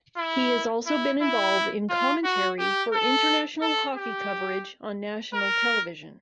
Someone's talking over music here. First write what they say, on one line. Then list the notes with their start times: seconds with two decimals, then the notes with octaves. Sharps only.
He has also been involved in commentary for international hockey coverage on national television.
0.17 E4
0.87 E4
1.22 E4
1.89 F4
2.24 F#4
2.59 G4
2.93 A4
3.62 A4
3.96 G4
5.34 A#4